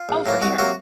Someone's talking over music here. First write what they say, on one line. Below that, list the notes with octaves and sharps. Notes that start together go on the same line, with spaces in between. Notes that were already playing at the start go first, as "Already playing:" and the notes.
Oh, for sure.
Already playing: F4
A#1
A2 F#3 A#3
C2 F#4
C3 F#3 A#3 F#4